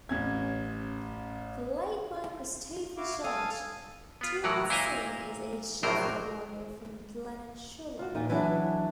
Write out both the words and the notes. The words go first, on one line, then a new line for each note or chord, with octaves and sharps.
Played by Christopher Judge, Teal'c is a Jaffa warrior from the planet Chulak.
A1 C#4 G#6
E4 F#4 F5 D6
A4 F5 G#5 D#6
B3 F4
A2 E3 F#3 G#3 A#4 F#5
A#2 E4 C5 D#5 G#5 A#5
A#1 A2 C3 F#3 A#4 C5
F4 F#4
E2 A#2 D#4 D#5
E3 F#3 D4 E4 G#4